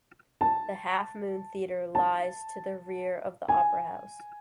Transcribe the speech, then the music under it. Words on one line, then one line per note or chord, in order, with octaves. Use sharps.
The Half Moon Theatre lies to the rear of the Opera House.
A5
A5
G#5